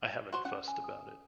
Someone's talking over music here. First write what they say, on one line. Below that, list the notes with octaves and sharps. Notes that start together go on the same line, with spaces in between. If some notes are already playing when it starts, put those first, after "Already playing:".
I haven't fussed about it.
F#4 C5
C#4 F#5
G#5
D#6